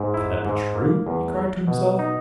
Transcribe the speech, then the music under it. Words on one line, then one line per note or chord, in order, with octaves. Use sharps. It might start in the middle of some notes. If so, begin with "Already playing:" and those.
"But can that be true?" he cried to himself.
Already playing: G#2
E4
G#2
A#3
E2
E4
B2
D#4